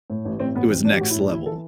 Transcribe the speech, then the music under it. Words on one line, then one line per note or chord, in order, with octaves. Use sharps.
it was next level,
A2
A1
A2 C4
A1 B3
E3 C4
A1 D4
G4
A2 F#4
E4
A1
D4
E3 E4
E3 A4